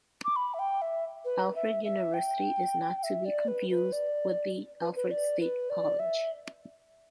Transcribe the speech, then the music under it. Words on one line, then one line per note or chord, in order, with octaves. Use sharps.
Alfred University is not to be confused with the Alfred State College.
D6
B5
E5
G5
E5
B4
E5
E5
G5
E5
D5
B4
B4
D5
B4
B4
D5
B4
D5
E5